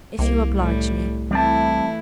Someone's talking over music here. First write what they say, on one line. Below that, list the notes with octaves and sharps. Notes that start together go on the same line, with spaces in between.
"If you oblige me."
C2 A#3
A2 G3
E3 G3 A3 C4 E4 A5